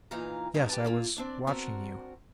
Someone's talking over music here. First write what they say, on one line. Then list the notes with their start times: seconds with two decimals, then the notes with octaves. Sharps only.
"Yes--I was watching you."
0.11 A#2 E3 D#4 F5 A#5
0.54 G2 G3 B3 C#4 D#4
0.69 G4 B4 A5
0.84 D3 A#3 F4
1.17 C4 D4 D5
1.47 C4 D4 F#4 A#4